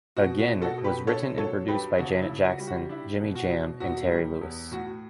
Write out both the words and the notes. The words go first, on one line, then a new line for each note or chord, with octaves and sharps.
"Again" was written and produced by Janet Jackson, Jimmy Jam and Terry Lewis.
B2 F#4
F#4
B2
F#4 A4
B2
G4 B4
D4 A4 C#5
F#3 A4 C#5
G2 G4 B4
C#3 F#4
E4
C#3
F#4
G3
F#4
D4 E4
B2
F#4
B2
E2 F#4
G3
E2
A2 F#4